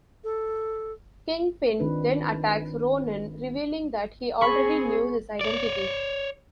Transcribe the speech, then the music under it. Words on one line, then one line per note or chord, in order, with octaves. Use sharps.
Kingpin then attacks Ronin, revealing that he already knew his identity.
A4
D#3 C4 D4 D#4 F4 B4
C4 G#4 B5 C#6
C#5 D5